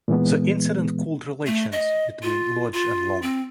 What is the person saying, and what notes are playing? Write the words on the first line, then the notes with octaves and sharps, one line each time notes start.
The incident cooled relations between Lodge and Long.
A#2 E3 G#3 B3
A3
D#5
F4
F4
C4